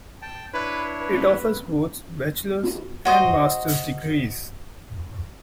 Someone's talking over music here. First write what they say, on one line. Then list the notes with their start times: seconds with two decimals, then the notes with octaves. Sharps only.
It offers both bachelor's and master's degrees.
0.22 G5 A5
0.54 D4 E4 B4 C#5
1.01 B4
3.05 F#4 C5 D#5